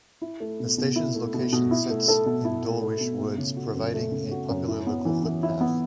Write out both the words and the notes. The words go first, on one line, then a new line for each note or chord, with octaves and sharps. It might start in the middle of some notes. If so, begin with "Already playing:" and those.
The station's location sits in Dulwich Woods, providing a popular local footpath.
E4
A3
B2
B2
E4
A3
B2
B2
E4
A3
A4
B2
E4
A3
A4
B2
A3
C#3
F#4
F#2
A3
C#3
F#4
F#2
E4
B3
E3
E3
E4
B3